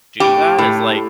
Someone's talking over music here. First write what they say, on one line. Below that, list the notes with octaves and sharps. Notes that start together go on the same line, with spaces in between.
do that is, like,
A2 G4
A2